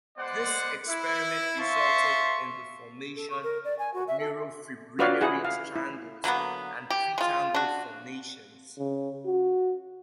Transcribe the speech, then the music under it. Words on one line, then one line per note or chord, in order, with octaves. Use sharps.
This experiment resulted in the formation of neurofibrillary tangles and pretangle formations.
G#3 B3 C5 D5 F#5
E4
C5 E5 F5 A5 C6 C#6
A4
C#6
A#4
D5
G#5
F#4
E5
A4
F4 F#4 B4 C#5 D5 F5
E4 G#4 F#5
F5
E4
D3 F#3 A#3 B3
G4
G#3 F4
D4 F#4
C#3
F#4